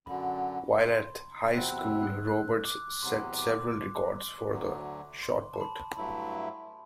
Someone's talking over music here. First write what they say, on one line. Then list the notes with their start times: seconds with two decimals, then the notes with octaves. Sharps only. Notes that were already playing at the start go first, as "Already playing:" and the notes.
While at high school, Roberts set several records for the shot put.
0.06 F#2 D3 F#3 B5
0.81 C6
1.54 E2 C3 F#3 C4 E4 F#6
1.79 E6
2.03 F#6
2.28 F#6
2.65 D6
3.02 E2 C3 F#3 B3 C6
3.39 D6
4.50 D2 D3 F#3
5.23 C6
5.53 A5
5.61 B5
5.97 G2 F#3 A3 E4 B5